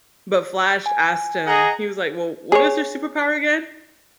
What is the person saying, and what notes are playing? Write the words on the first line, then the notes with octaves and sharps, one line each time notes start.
but Flash asked him, he was like, "Well, what is your superpower again?"
G#5
G#4 D#5 F#5 A#5
G#4 C#5